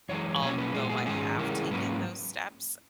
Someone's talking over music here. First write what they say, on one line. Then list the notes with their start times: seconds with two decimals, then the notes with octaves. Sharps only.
although I have taken those steps
0.09 F#2 E3 G#3 C#5
0.42 B2 F#3 A#3 C#4 C#5
0.58 B4
0.73 A#2 G#3 B3 G#4
0.90 G#4
1.06 G#2 D#3 G#3 C#4 G#4
1.38 C#3 E3 G#3 C#4 A#4
1.71 G#2 F#3 A#3 C#4 B4